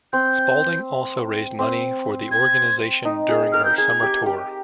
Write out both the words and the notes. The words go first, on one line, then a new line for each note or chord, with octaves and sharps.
Spalding also raised money for the organization during her summer tour.
C4 G6
C4
G#6
D#4
G#4
A#4 F6
G6
G#4 G#6
G4
G4